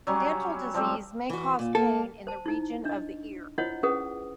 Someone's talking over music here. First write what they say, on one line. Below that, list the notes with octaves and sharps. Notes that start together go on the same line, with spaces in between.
Dental disease may cause pain in the region of the ear.
F#3 G3 C#4
F3 G3 C4
E3 F#4
A#2
A#3 A4
C5 A5
D#4 E4
D4 D#5
E4 F4 C5 C#5 D#5 F#5
C#4 G#4 B4 F#5 D#6